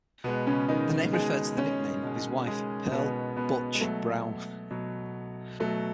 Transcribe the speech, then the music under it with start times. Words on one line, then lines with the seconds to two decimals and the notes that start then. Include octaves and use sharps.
The name referred to the nickname of his wife, Pearl "Butch" Brown.
0.24 B2 G#3 B3
0.47 C#3 C#4
0.69 D#3 D#4
1.13 B2 G#3 G#4
1.58 C#4 C#5
2.03 B2 G#3
2.47 G#3 G#4
2.92 B2 G#3 B3
3.37 B2 B3
3.75 G#3
3.81 B2 F#3 A3
4.71 B2 F#3
5.60 B2 F#3 A3